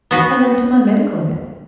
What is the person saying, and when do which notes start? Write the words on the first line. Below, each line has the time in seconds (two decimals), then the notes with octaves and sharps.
I went to my medical man.
0.11 B3 F#4 B4